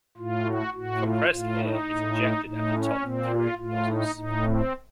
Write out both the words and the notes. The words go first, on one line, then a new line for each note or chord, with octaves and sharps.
Compressed air is injected at the top through nozzles.
A2 F4
F#4
A2 F#4
F4
A2 F4
D#4
A2
A2 D#4
C#4
A#2 C4
F4
A2 F4
D#4
A2 D#4
C4